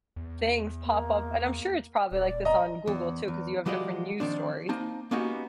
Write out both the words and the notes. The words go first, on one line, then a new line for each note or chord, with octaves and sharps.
things pop up, and I'm sure it's probably like this on Google too 'cause you have different news stories.
E2
A#3
D#1 D5
D#5 A#5
E2
E2
E3 F#3 G#3 F4 G4 D5
D#3 F3 C4 D4
A#3 C4 D#4 A5
A#3 B3 C#4 D#4 F#4 G4